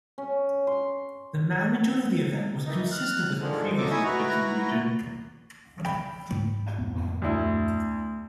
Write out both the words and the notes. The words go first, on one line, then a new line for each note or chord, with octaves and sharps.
The magnitude of the event was consistent with previous earthquakes in this region.
C#4
C6
D#3 E3 D#4
F6 F#6
G#2 D3 D#3 F3 G#3
D#2 C3 F#3 D#4 A4 D6
D#4 E4 E5 G#5 C#6 D#6
E4 F#4 B4 A#5
G5 B5
G#2
F2 A2 B3
D2 E4